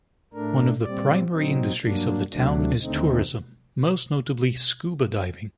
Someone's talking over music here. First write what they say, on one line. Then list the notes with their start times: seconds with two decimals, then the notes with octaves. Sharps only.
One of the primary industries in the town is tourism, most notably scuba diving.
0.33 A2 A3 D4 A#4
0.83 A#2 G3 C4 D5
1.33 A#2 F#3 C4 D#4
1.83 G2 F#3 A#3 D4
2.32 D2 C3 F#3 A3 D4
2.81 D#2 D3 A3 C4 D#4